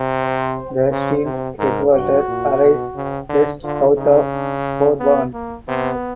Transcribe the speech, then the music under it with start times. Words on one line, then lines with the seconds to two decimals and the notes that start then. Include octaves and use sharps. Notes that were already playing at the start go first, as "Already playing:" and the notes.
The stream headwaters arise just south of Bourbon.
Already playing: C3
0.23 C5
0.91 C#3 C5
1.25 C3
1.59 G#2 A#4
1.93 G2 F#4
2.28 A#2
2.62 B2
2.95 C#3
3.29 D3
3.63 D3 F4
3.97 C#3 D#4
4.32 D4
5.00 B3
5.34 A#3
5.68 C3 B3